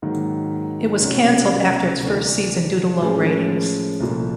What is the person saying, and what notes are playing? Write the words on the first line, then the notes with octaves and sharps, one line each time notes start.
It was cancelled after its first season due to low ratings.
G#2 D#3 F#3 A#3
C2 B2 F#3 A3 C#4
D2 C3 E3 A3 D4
A2 F3 G#3 C#4
C2 A#2 F3 A3